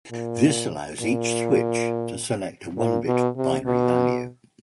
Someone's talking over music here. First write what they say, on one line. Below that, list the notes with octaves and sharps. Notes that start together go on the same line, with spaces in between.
This allows each switch to select a one-bit binary value.
A#2
A#2
A#2
B2
C3
B2